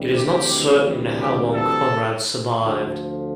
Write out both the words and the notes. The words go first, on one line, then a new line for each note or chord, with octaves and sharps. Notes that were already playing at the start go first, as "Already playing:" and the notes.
It is not certain how long Conrad survived.
Already playing: D2 C3 E3 G3
G4
G4
A4
D2 D3 F3